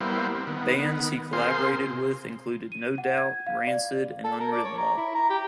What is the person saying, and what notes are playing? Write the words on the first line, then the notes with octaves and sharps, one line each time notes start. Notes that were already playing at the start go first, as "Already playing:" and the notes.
Bands he collaborated with included No Doubt, Rancid and Unwritten Law.
G3 A#3 B3 E4 C5
C4
D#3 B3
C4 F4 G#4 A#4 C5 C6
C3
D#7
F#5
G#6
F5
D5
A4
A#4
D5
C#5
A#5
E4
A#5
G4